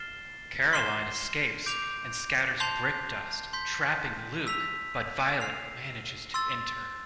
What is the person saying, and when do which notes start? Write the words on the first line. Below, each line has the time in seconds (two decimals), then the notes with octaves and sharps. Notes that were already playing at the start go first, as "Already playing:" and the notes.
Caroline escapes and scatters brick dust, trapping Luke but Violet manages to enter.
Already playing: F6 A6 C7 E7 G7
0.73 C6 F6 C7 E7 G7
1.66 D6 G6 D7 F7
2.60 A5 C6 G6 C7 F7
3.53 C6 G6 B6
4.47 E6 B6 F7
5.40 F6 C7 F7
6.34 C6 E6 A6